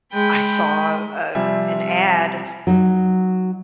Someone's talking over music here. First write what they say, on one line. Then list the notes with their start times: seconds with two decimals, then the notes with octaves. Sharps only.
I saw, uh, an ad
0.13 G#3 G5 B5
1.35 C3 F3 G3 C4 E5 G#5
2.67 F#3 D#4